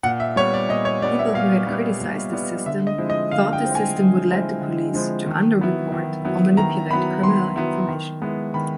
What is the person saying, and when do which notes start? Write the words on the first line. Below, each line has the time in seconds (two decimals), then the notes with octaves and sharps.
People who had criticized this system thought this system would led the police to underreport or manipulate criminal information.
0.03 A#2 F#5
0.20 E5
0.36 G3 B3 C#5
0.54 D5
0.69 A#2 D#5
0.85 C#5
1.02 G3 B3 D5
1.19 E5
1.34 A#2 F5
1.67 G3 B3
2.01 A#2
2.33 G3 B3
2.66 D3 E5
2.87 D#5
2.98 F3 G#3 C4 E4
3.10 D#5
3.31 D3 F5
3.53 G5
3.63 F3 G#3 C4 E4
3.75 G#5
3.97 D3
4.29 F3 G#3 C4 E4
4.61 D3
4.94 F3 G#3 C4 E4
5.27 D#3
5.60 F#3 B3 E4
5.92 D#3
6.25 F#3 B3 E4
6.57 D#3 A#5
6.90 F#3 B3 E4 B5
7.23 D#3 C6
7.56 F#3 B3 E4
7.88 D#3
8.22 G#3 B3 E4
8.54 D#3 B5